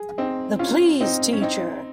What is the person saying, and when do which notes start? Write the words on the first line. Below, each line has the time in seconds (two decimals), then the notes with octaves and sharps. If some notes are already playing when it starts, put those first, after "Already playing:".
The Please Teacher!
Already playing: G#4
0.18 C4 D#4
0.59 C#4 F4
1.01 C4 D#4
1.33 C#4
1.42 C4 D#4